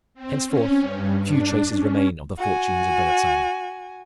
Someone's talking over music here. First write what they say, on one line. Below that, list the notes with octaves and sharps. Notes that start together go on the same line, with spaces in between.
Henceforth few traces remain of the fortunes of Verrazzano.
C4
C#4
G2
D4
C#4
F#4 G#5